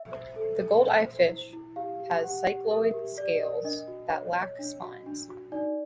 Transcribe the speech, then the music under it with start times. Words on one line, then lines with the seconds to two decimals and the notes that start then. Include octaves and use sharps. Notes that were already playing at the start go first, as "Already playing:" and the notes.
The Goldeye fish has cycloid scales that lack spines.
Already playing: E5
0.12 C5
0.36 A4
0.60 A4
0.82 C5
1.06 C5
1.29 E4
1.53 E4
1.76 G4 F5
2.00 G4
2.23 G4 F#5
2.47 G4
2.71 A#4 E5
2.94 G4
3.17 G4 D5
3.41 A#4
3.64 D4 D#5
3.88 F#4
4.12 C#5
4.36 C#5
4.59 D4
4.82 F#4
5.06 D4
5.29 F#4
5.52 D#4 D5